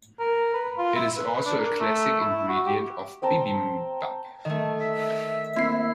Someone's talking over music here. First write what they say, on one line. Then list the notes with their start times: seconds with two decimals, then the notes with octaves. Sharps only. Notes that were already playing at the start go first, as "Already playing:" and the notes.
It is also a classic ingredient of bibimbap.
0.19 A#4
0.54 B4
0.78 F4
0.96 E4
1.16 B4
1.46 D4
1.59 A#4
1.80 A3
2.21 E4
2.49 F#4
2.66 G4
3.22 C4 G5 A5 A#5
4.45 D#3 A3 D#5
4.79 E5
5.56 A#3 C4 E4 C7